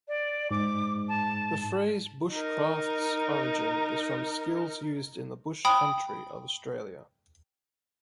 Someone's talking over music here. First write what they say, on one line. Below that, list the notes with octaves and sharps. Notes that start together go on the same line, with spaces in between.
The phrase bushcraft's origin is from skills used in the bush country of Australia.
D5
G#2 D6
A5
D#4 A#4
G5 B5 D#6